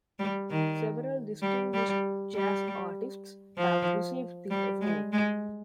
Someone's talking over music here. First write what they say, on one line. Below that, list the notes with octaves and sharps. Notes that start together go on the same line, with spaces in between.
Several distinguished jazz artists have received this award.
G3
D#3
G3
G3
G3
F3
G3
G#3
G#3